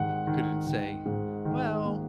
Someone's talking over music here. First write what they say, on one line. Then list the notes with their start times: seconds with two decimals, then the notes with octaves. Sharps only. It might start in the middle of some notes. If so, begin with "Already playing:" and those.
you couldn't say, "Well,
Already playing: G#2 D#3 F#5
0.27 D#3
0.67 D#3
1.06 G#2
1.45 D#3
1.85 A#3